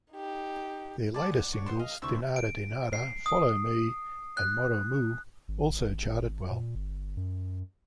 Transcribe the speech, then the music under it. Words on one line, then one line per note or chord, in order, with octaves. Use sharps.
Their later singles "Dinata Dinata", "Follow Me", and "Moro Mou" also charted well.
D#4 G4
G#3 D5 A5
F#5
D4 C#5
B3 C5 C6
D#5 F5
D2 C3 E4 C#6 E6
D7
C7
D#6
F#6
G#1
A#2
G1
F#2